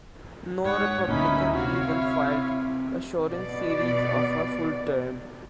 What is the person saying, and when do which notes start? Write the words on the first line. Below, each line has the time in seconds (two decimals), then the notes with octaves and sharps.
No Republican even filed, assuring Sires of a full term.
0.65 G#2 C#5 F#5
1.08 D2 A#2 C#4 D#4 E4 B5
1.54 C3 F#4 C#5 F5
1.85 E4
3.24 B2 D5